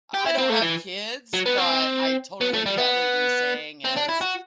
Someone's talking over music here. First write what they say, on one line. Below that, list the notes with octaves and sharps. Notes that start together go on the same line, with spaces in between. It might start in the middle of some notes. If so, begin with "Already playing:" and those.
I don't have kids, but I totally get what you're saying is.
G4
E4
C4
A3
E3
F#3
B3
C4
B3
A3
G3
B3
C4
D4
E4
F#4